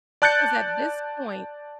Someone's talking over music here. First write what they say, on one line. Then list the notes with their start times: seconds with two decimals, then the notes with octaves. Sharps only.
'cause at this point
0.22 D5 A5 F#6 G6 A6 C#7